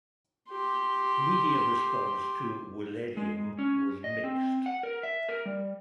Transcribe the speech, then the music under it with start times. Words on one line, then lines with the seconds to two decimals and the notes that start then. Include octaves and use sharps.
Media response to "Willennium" was mixed.
0.49 G4 C6
3.17 G#3
3.59 C#4
4.04 D#5
4.24 C4
4.66 F#5
4.83 A#4
5.03 E5
5.29 A#4
5.46 G3